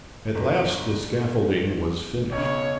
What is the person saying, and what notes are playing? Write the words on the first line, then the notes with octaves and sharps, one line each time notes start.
At last the scaffolding was finished.
G1
B1 C#3 C#5